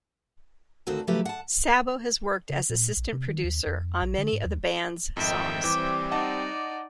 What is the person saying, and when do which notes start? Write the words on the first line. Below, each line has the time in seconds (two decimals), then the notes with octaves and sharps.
Sabo has worked as assistant producer on many of the band's songs.
0.87 D2 D#3 C4 F4 F#4 A4
1.07 C#3 F3 F#3 A3 G4 B4
1.25 F#5 A5
2.50 C#3
2.70 A#2
2.97 A#1
3.13 C3
3.28 D#3
3.44 D#2
3.67 F2
4.03 A#1
4.18 D3
4.33 G#2
4.46 D#2
5.17 G#1 F2 D#3 E5 G5
5.64 E3 G3 C4 D6
6.11 D#4 D5 D#5 F#5 A5